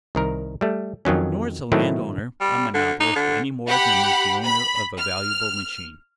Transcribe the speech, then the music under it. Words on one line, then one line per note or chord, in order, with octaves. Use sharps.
Nor is a land-owner a monopolist any more than is the owner of a valuable machine.
C2 D#3 A#4
G3 A3
F2 D#3 F#3 C#4
A2 D#3 F#3 A3 C4 E4
G3
D3
D#4
D3
G4 F#5 B5
B5
F6